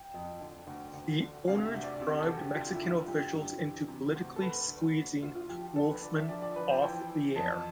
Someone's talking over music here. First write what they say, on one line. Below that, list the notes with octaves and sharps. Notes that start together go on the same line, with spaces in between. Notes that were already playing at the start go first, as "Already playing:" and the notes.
The owners bribed Mexican officials into politically squeezing Wolfman off the air.
Already playing: G5
F2
D3
D2
D2
D3
C3 F5
E5
D2
D5
C3
A4
D2
G4
D3 F4
E4
D3
F4
G2 G4
G2
E3
C3
D2
A4
D2 B4
D3
D2
D2 F4
F4
F3 G4
D3 A4
B4
D3 D5
E5
F3 D5
D5
F3 B4
C5
E3 G5
E3
F2 A5